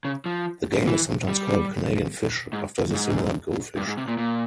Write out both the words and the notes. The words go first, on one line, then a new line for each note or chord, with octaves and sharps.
The game is sometimes called Canadian Fish, after the similar Go Fish.
C#3
F3
E3
G3
G#2
G#2
G2
G#2
C3
A#2
A#2